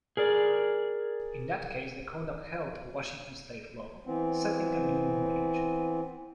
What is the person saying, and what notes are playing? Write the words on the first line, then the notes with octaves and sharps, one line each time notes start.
In that case the court upheld a Washington state law setting a minimum wage.
G#4 A#4 D5
E3 B3 C4